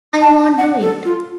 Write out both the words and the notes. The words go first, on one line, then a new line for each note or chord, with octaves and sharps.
I won't do it!
A5
F#5
A4
F4